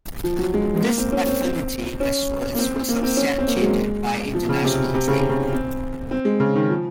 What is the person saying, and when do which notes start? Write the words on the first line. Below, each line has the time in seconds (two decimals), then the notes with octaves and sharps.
This affinity westwards was substantiated by international trade.
0.24 F3
0.39 F#3
0.54 G#3
0.76 G#3
0.82 A#3
0.98 C4
1.12 C#4
1.26 C4
1.41 C4
2.00 C#4
2.55 A#3
2.59 C4
2.88 A#3
3.03 C4
3.17 C#4
3.38 C4
3.47 A#3
3.56 F#3
3.61 G#3
4.34 F3
4.49 C#3
4.65 C3
4.94 C3
5.08 C#3
5.19 C3
5.30 C#3
5.53 C4
6.11 C4
6.25 G#3
6.40 C#3
6.56 D#3
6.70 F3